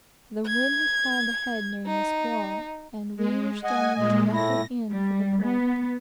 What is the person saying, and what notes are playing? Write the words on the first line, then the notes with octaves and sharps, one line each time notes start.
The wind had hauled ahead during the squall, and we were standing directly in for the point.
G#6
D#4
G#3
D#5 F#5 G#5
A#2 G#3 D#5
A2 A3 E4 A#6
G3
B3